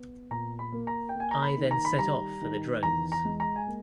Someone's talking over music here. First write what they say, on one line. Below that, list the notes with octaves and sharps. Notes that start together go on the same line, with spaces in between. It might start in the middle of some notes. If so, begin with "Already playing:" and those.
I then set off for the Drones.
Already playing: B3
A#2 A#5
B5
A#3
A#5
G5
A#3
G#5
A#5
B5
D#3
A#5
B5
G3 A#5
D#3
E2 A#5
A#5
G#3
A#5
G#5
A#3